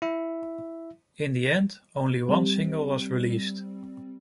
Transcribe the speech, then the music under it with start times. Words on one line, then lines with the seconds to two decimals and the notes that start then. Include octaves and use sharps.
In the end, only one single was released.
0.02 E4 E5
2.29 G3 C4